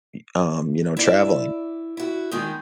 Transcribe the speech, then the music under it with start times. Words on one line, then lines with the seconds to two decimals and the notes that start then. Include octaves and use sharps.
y um, you know, traveling.
0.97 E4 D5
1.97 E4 F#4
2.31 D#3 G#3 B3 D#4